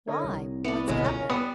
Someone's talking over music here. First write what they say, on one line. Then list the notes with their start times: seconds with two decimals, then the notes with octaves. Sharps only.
'Why, what's happened?
0.08 D3 A#4 C#5 D#5
0.24 C2
0.64 B3 D4 E4 C#7
0.88 G1 B2 F#3 G#3 F4 G#4
1.04 C#4 F4 A#4
1.30 G3 B3 D#6 C#7